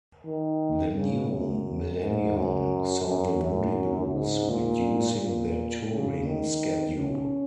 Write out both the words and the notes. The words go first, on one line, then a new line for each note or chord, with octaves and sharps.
The new millennium saw the Moody Blues reducing their touring schedule.
D#3
C#3
F#2
G#2
F#2
F#2
F#2
G#2
A#2
A#2
C#3
D#3
C#4